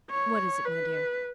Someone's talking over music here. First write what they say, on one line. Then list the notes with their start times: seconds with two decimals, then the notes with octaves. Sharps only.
"What is it, my dear?"
0.10 C#5
0.65 B4